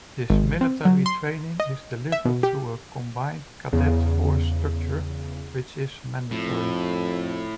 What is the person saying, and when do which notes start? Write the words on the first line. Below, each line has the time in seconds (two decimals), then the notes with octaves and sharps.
This military training is delivered through a Combined Cadet Force structure which is mandatory.
0.30 G#1
0.61 C4
0.85 F#3
1.06 C6
1.60 D#5
2.12 E5
2.25 B2
2.43 G4
3.73 E2 C#3
6.31 F2 A2